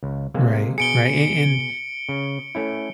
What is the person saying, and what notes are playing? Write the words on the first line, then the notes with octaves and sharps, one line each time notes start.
Right, right, and and
C#2
C3 G#3 A#3
B2 G#4 C#7 D7 G7
C#3
A3 C#4 E4